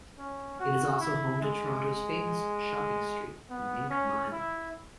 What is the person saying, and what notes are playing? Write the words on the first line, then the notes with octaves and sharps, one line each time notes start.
It is also home to Toronto's famous shopping street, the Mink Mile.
C#4
F#4
E4
G#3
B3
C#4
E4